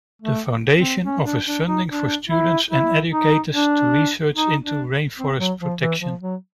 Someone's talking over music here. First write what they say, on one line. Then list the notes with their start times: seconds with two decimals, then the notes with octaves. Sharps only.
The foundation offers funding for students and educators to research into rainforest protection.
0.22 A3
0.77 C4
1.04 C#4
1.25 D4
1.47 D4
1.67 D#4
1.88 D4
2.29 E4
2.70 E4
3.11 D#4
3.53 D4
4.36 D#4
4.64 D4
5.18 C4
5.38 F#3
5.60 F3
5.80 E3
6.01 F3
6.21 F#3